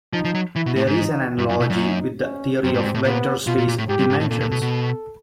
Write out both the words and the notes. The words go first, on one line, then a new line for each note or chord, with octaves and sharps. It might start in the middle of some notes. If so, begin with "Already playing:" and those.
There is an analogy with the theory of vector space dimensions.
F3 D#4
F3
F#3
E3 E4
B2
A2
G#2
D#4
G2 E4
F#2
B2
F#2
D#4
C#4
F#2 C4
G#2
G2
G#2
A2
A#2 B3
B2 F4
A#2
A#2
A2
G#2 G4
G2
G#2
A2
A#2 A4
A#2
B2
B2